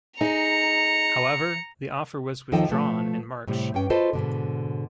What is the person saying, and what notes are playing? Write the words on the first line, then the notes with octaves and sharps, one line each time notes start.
However, the offer was withdrawn in March.
D#4 G#4 A#5 C#7
D#2 D#3 F3 A4 D#5 G5
B2 F3 A3
A2 C3 G3
G2 C#4 G5
F4 F#4 A4 B4 C5 D#5
G#2 B2 D3